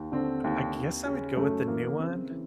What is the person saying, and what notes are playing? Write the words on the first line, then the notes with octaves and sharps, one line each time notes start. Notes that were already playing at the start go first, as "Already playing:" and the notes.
I guess I would go with the new one.
Already playing: D#2
D3 C4
D#2
D#2
C#3 C#4
F#2 A3
E3 A#3
C#3 C4
E3